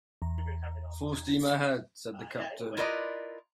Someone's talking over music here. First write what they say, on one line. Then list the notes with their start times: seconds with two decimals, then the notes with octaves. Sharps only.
"Full steam ahead," said the captain.
0.22 E2 A#5
2.77 E4 F4 A#4 B4 D5 D#5